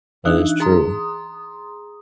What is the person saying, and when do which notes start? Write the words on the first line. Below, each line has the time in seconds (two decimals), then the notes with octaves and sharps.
That is true.
0.25 E3 D4 D#4 F#6
0.60 G#4 A#5 C6 D#6